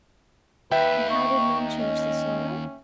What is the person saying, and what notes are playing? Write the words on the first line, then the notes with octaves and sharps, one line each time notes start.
And how did men change the soil?
D#2 B4 E5 G5
D#4 C#6
C#4 D#5